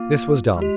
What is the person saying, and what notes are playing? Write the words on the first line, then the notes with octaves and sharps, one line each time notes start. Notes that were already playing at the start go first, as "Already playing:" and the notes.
This was done.
Already playing: A#3 F4
G3
G#3 G4